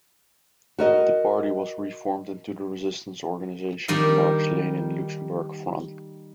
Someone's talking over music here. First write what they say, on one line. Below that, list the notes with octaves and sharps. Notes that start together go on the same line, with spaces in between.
The party was reformed into the resistance organization Marx-Lenin-Luxemburg Front.
F#4 A#4 D#5
D#3 G3 G4 A#4 F5